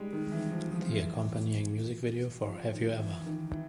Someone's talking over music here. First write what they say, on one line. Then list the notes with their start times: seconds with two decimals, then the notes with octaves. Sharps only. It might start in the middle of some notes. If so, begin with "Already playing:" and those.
The accompanying music video for Have You Ever?
Already playing: G3 G#3
0.13 D#3
0.31 E3
0.51 F3
0.71 F3
0.91 E3
2.47 F3
2.73 D#3
2.99 E3
3.26 D#3
3.52 E3